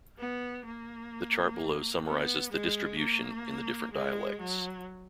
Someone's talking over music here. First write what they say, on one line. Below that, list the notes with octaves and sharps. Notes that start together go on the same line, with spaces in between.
The chart below summarizes the distribution in the different dialects.
B3
A#3
B3
G#3
A#3
G#3
F#3